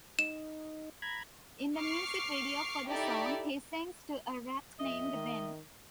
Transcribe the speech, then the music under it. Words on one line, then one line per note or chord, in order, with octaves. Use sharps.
In the music video for the song, he sings to a rat named Ben.
D#4 E7
A#5 B5 G#6
C#6 D6 F6 C7
D#4 E4 G4 A4 D5 E5
F2 D#5 E5
D#3